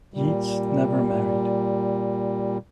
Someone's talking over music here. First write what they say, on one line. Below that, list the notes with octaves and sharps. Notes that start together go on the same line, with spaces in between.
Yeats never married.
A#2 G3